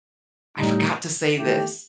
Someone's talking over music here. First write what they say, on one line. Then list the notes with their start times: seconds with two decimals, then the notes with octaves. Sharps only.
I forgot to say this'"
0.57 A2 G3 D#4
1.36 E2 D#3 A3 E4 G4